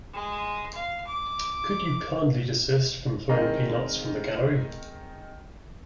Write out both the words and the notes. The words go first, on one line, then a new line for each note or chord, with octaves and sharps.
Could you kindly desist from throwing peanuts from the gallery?
G#3
F5
D6
D#3 G#3 C4 A#4 D#5